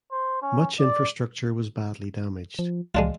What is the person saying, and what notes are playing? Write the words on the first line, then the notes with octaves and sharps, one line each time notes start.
Much infrastructure was badly damaged.
C5
C#4
D5
F3
C#2 G#3 D4 F4